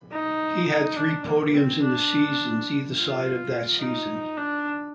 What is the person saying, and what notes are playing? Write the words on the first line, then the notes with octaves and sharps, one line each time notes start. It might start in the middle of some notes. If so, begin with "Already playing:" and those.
He had three podiums in the seasons either side of that season.
D#4
D#4
D4
A#3
C4
D4
F4
D#4
D4